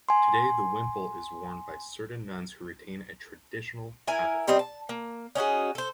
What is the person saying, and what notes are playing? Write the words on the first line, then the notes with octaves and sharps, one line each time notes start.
Today the wimple is worn by certain nuns who retain a traditional habit.
G#5 C6
E4 A#4 G#5
G3 C4 C5 D#5
A5
A#3
C#4 D#4 F#4 G#4
A4 C5